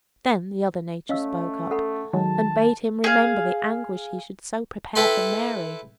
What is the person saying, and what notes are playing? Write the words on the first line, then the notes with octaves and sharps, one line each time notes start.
Then the other nature spoke up, and bade him remember the anguish he should so prepare for Mary!
A3 C#4 D#5 F5 E6
A4 F#5 B5
D#3 F#3 G#3 A5
G#4 F5
E4 A4 B4 G5 B5 C6